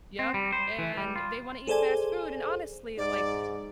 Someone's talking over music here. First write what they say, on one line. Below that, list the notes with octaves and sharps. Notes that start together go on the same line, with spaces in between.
Yep. And, they wanna eat fast food and honestly, like,
C4
G3
C5
E3
G3
F4
G#4 A4 C5 D5 G#5
G#2 D5